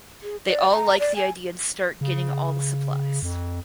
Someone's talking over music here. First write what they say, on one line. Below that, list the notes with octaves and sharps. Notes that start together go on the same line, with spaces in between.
They all like the idea and start getting all the supplies.
G#4
D5
A#5
D5
G#5
C#3
F2